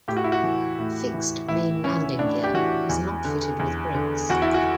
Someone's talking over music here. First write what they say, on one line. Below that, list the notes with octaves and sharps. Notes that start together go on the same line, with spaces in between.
Fixed main landing gear was not fitted with brakes.
A2 G4
F#4
E4
F#4
E3
A2
E3
A2 E4
E3 C#4
A2 D4
G4
E3 F#4
E2
D3
E2
D3
E2 F#4
E4
F#4